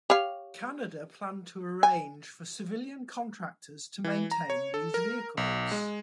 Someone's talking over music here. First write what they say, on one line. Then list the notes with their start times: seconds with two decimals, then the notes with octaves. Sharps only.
Canada planned to arrange for civilian contractors to maintain these vehicles.
0.10 G4 C#5 F5
1.83 G#5
4.04 E3
4.31 A#5
4.50 C#5
4.74 A4
4.94 A#4
5.37 B1
5.72 G#3